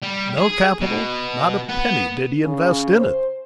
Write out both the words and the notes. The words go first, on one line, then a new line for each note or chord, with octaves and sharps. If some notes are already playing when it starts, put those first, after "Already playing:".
No capital, not a penny did he invest in it.
G3
G#4
B2
B3
C#3
C5